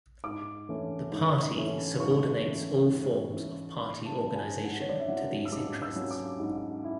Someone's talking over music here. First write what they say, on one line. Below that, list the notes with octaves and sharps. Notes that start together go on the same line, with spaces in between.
The Party subordinates all forms of Party organization to these interests.
G#2 D6
E3 A3 C#4 E4
G#2
E3 A3 C#4 E4
G#2 C#6
E3 A3 C#4 E4
G#2
E3 A3 C#4 E4
G#2 B5
A5
F#3 C#4 E4
G#5
G#2 F#5
C#5
D5
E5
F#3 C#4 E4 F#5
E6
G#2 D6
E6
F#3 C#4 E4
D6
G#2
E4